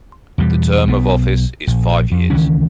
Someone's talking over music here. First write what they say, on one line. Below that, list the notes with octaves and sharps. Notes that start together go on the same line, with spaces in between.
The term of office is five years.
E2 B2 G3
B1 B3
A#1
F2
C#2 D#3 E3 C#4